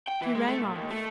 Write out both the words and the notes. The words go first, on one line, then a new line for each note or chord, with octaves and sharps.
He rang off.
G5
E3
G#3
A3
A#2
D#2
A3